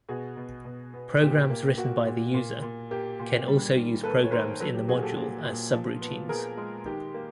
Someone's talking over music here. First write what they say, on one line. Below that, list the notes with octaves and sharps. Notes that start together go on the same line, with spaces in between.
Programs written by the user can also use programs in the module as subroutines.
B2 F#4 G#4
B2
B2
B3
A#2 G4
A#3
A#3 F#4
A#2
A#2
A#2
A#3 G4
A#2
G3
D#3
A#3 A4 B4
C#5
D#3 A#4 C5
F#3 A4 B4
G4
A#2 F#4 G#4
G4 A4
A#2
A#2
F3
B3
B3 G#4 A#4
G#3
D#3 G4
A#3